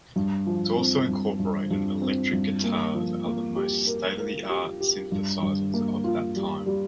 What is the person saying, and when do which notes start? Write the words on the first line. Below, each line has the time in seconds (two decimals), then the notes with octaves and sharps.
It also incorporated electric guitars and the most state-of-the-art synthesizers of that time.
0.16 G2
0.47 F3
0.77 C4
1.08 G2
1.40 G2
1.71 G2
2.02 C4
2.33 G2
2.64 A#3
2.95 F3
3.25 A#3
3.56 G4
3.87 A#4
4.19 A#4
4.50 G4
4.80 G4
5.12 G2
5.42 G2
5.74 A#3
6.04 F4
6.36 G3
6.66 G3